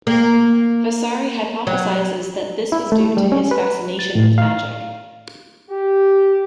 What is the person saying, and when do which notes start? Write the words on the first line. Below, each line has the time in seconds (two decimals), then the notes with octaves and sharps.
Vasari hypothesizes that this was due to his fascination with magic.
0.07 A#3
1.67 F#3
2.72 E4
2.92 A3
3.17 G3
3.32 C#4
3.51 B4
3.99 A6
4.15 A2
4.38 F5
5.69 G4